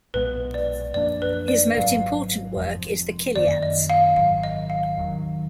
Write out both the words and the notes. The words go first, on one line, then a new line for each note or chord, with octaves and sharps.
His most important work is the Chiliades.
B1 A#2 G#3 B3 B4
D5
F#2 F3 A#3 D4 D5
B4
D5
G#1 G#2 D#3 F#3 F5
F1 F2 F3 G#3
F#2 D#3 A#3 D5
D#5
F5
G#1 G#2 D#3 F#3 F5
D#5
F5
F1 D#2 D#3 F#3